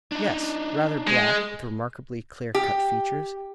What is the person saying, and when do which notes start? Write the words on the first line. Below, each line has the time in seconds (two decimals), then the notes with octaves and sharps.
"Yes, rather black, with remarkably clear-cut features."
0.12 D4 D#4
1.07 G#3
2.55 G4